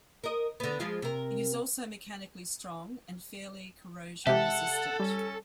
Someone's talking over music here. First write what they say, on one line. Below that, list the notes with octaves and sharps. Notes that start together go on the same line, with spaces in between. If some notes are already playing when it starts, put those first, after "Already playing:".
It is also mechanically strong and fairly corrosion resistant.
A#4 D#5
D3 B3
F3 G#3 F4
C3 A#4
C3 G#3 G4 A4 E5 F#5
G3 C#4